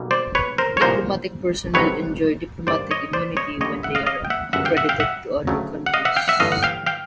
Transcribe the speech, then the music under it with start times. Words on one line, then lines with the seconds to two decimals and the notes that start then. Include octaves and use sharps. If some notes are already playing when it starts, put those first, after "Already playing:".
Diplomatic personnel enjoy diplomatic immunity when they are accredited to other countries.
Already playing: B1 B2 G3 A#3
0.11 C5 D5
0.35 B4 C#5
0.58 A#4 C5
0.77 C#5
0.81 C2 A#2 F3 A#4 C5
1.74 C2 C3 D#3 F#3 A3 B4 C#5
2.67 G1 G2 D#3 C5 D5
2.91 C#5 D#5
3.13 C5 D5
3.37 C#5 D#5
3.61 D#2 D3 G3 C#5 D#5
3.83 E5 F#5
3.95 D#5 F5
4.06 D#5 F5
4.25 G5
4.30 E5 F#5
4.53 G1 F#2 C#3 E5 F#5
4.65 F5 G5
4.77 E5 F#5
4.89 F5 G5
5.00 E5 F#5
5.47 D2 C#3 F#3 A3
5.86 F#5
5.94 D#5 F5
6.05 E5 F#5
6.16 F5 G5
6.28 E5 F#5
6.40 G1 G2 E3 A3 D#5 F5
6.52 F#5
6.63 F5 G5
6.86 F5 G5